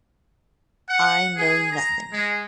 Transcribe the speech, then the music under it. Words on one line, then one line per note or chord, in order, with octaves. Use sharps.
I know nothing.
F#5
G#4
A#5
G#3